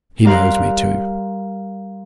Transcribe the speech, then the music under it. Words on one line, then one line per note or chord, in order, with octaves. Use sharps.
He knows me too.'
G3 A#4 F5 C6 F#6